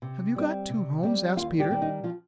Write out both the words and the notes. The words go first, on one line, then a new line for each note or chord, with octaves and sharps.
"Have you got two homes?" asked Peter.
C3
G3 C4
C3
G3 C4
D#2 F4 F5
G3 G4
D#3 G3 C4
D#4
F3 F4